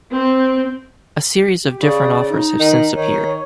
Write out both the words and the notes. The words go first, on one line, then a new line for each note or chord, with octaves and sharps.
A series of different offers have since appeared.
C4
G4
C#3 D5
D#4
D#3
D#3 C#5